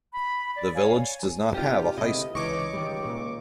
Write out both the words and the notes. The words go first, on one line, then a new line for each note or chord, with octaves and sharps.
The village does not have a high school.
B5
D5
C#5 F5 G#5
G#1 C3 D#3 F4 G4
G1 C3 G#3 E4 D#5
C#2 E3 C#5 D#5 C#6 D6
C#2 D#3 E3 G3
A#2